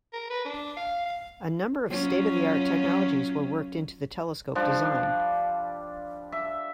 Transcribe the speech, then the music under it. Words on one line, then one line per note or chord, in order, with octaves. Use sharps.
A number of state-of-the-art technologies were worked into the telescope design.
A#4
B4
D4
F5
F5
F#3 C#4 F4
F3 G3 D4
E5